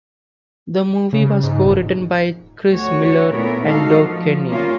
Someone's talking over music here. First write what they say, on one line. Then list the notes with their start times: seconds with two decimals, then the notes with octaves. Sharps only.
The movie was co-written by Chris Miller and Doug Kenney.
1.13 C#3
1.43 G#2
1.64 D#1
2.71 D2 F#4 C#5
3.31 A#2 A3 B3 E4 A#4
3.65 G#3 D4 D#4 F#4 A4 F5
4.00 F3
4.48 F3 G3 A#3 C#4 F4